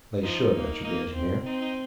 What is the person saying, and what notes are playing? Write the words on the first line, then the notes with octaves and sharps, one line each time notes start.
"They should," answered the engineer.
F3 D#4
A#3
A#3 D#4
C4
C4 D#4
D#4